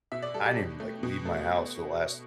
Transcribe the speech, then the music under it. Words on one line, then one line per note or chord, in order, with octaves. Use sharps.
I didn't even, like, leave my house for the last.
B2 E5
D5
G3 A4
G4
B2
A3
B2
A3